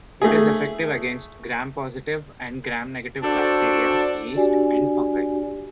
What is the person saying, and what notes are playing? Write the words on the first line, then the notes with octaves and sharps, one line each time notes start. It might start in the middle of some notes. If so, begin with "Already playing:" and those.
It is effective against gram-positive and gram-negative bacteria, yeast, and fungi.
A3 G#4
D4 F#4 A4 C5 D5
D4 F#4 G4 D5 G#5